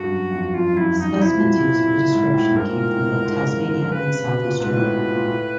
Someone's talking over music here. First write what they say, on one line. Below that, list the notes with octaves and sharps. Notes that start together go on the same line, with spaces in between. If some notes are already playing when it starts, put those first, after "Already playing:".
Specimens used for the description came from both Tasmania and South Australia.
Already playing: G2 F#4
F#2
F2
F2 F4
F#2
F2 E4
F#2 D#4
C3 E4
A#2
B2
C3
A#2
G#2
A2
G2
G#2 A#4
A#2
A2
A2
G#2
G#2
C#3
D3
C#3 B4
C3
B2
B2
A#2
G#2 B4
A2
B2
A#2
A2